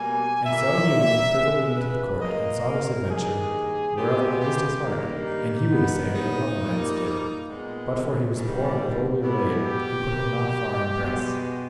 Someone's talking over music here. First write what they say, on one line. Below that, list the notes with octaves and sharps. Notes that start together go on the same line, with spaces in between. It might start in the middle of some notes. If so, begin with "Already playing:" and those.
And so he went privily into the court, and saw this adventure, whereof it raised his heart, and he would assay it as other knights did, but for he was poor and poorly arrayed he put him not far in press.
Already playing: B2 G3 A#3 G#5
A#2 G3 A#3 E5
C#3 G#3 B3
B4
A#2 A#3 D#5
A#4
G2 D#3 A#3 G#4
C#3 G#3 B3 G4
G4
G2 D#3 G3 A#3
D#4
G2 D#3 G3 B3
D#4
A#2 G3 A#3
A#2 G#3 B3
G#2 D#3 G3 A#3
B2 G3 B3 E4
G4
B2 A#3
B2 G#3 B3